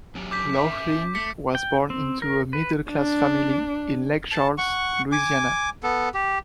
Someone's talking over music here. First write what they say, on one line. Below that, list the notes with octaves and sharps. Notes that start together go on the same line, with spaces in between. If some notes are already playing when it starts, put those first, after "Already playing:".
Laughlin was born into a middle-class family in Lake Charles, Louisiana.
F#3 C#4 G4
D6 G6 B6
C#4 E5
A3 B6 C#7
G5
C4
A#4
B4
D4
A5
F#5 C#6
G#5 D6
B3 A4
G4